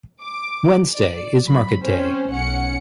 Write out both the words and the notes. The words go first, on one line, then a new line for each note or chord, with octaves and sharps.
Wednesday is market day.
D6
D5
F#3 B5
C4 C#4 C5
B1 C#4 F#5 C#7